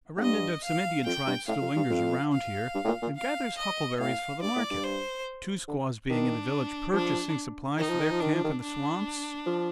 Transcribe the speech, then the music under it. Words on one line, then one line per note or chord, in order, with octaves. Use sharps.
A remnant of some Indian tribe still lingers around here and gathers huckleberries for the market, two squaws being in the village purchasing supplies for their camp in the swamps.
A2
G2 D#5
F5
F2 G5
G2
A2 F5
F2
G2
F2
F5
G2
A2
A#2
A#2
F5
D#5
A2 F5
G2 D5
A2
G2
C5
D3
D#3 D4
F3 D4
D#3 D#4
F3
D#3
F3
D#3 D4
F3
D#3
D4
F3